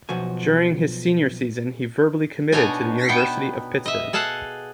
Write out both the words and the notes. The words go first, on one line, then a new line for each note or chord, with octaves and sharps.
During his senior season, he verbally committed to the University of Pittsburgh.
B1 F3 F#4 G#5
B2 D4 D#4 C#5 D#5 G#5
B3 G5
D#5 E5
G#4 A4 F5 F#5 A5